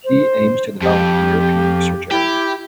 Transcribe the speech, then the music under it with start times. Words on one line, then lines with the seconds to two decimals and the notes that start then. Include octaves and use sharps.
He aims to develop the European Research Area.
0.05 C5
0.82 F2 G4
2.11 E4 G4